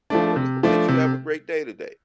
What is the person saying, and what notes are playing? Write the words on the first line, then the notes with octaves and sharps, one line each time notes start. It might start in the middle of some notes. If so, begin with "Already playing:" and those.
I really hope that you have a great day today.
F3 A3 D4
C3
F3 A3 D4
C3